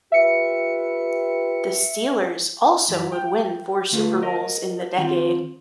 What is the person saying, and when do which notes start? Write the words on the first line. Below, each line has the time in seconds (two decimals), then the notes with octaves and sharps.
The Steelers also would win four Super Bowls in the decade.
0.12 F4 G4 B4 E5 C#7
2.88 F#2 E3 F#3
3.12 G5
3.92 D3 A3 F4 G#4 A4 B4
4.22 A#4 D#5
4.98 D#3 C4 F4